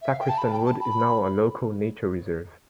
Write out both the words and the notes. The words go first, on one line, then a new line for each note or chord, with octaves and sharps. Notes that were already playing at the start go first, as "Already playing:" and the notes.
Sacriston Wood is now a local nature reserve.
E5
F5
G5
A5
B5
G5
A5
B5